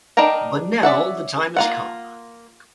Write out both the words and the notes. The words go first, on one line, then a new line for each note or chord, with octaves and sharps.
But now the time has come.
D4 D#4 A#4 G5 A#5
C#4 D5 E5 F#5
A#3 F4 F#5